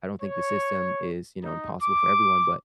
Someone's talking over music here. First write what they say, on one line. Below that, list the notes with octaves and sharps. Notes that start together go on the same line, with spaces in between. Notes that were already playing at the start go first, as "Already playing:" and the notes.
I don't think the system is, you know, impossible for everyone but,
C#5
D#4
D6